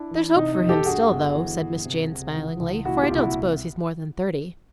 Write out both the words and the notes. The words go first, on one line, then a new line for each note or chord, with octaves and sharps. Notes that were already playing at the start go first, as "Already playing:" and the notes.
"There's hope for him still, though," said Miss Jane smilingly; "for I don't s'pose he's more than thirty."
Already playing: D4 E4
E3
C3 D#4
D#4
E1
G4 A4
G2 F#4 G#4
G1
E3
G1
C3
C#2
E3
C#2
A#2 E4 F#4
F4 G4
C2
E4 F#4